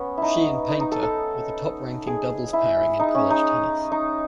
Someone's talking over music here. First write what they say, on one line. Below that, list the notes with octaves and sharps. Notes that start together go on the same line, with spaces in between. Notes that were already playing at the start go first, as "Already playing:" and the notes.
She and Paynter were the top ranking doubles pairing in college tennis.
Already playing: B3 C#4
D#4 E4
D#4
D#4
A4
A4
G#4
E4
D#4
C#4
D#4
D#4